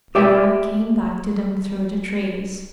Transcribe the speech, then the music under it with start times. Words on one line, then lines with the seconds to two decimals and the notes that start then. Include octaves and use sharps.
Norah came back to them through the trees.
0.15 G4 D5 E5 G5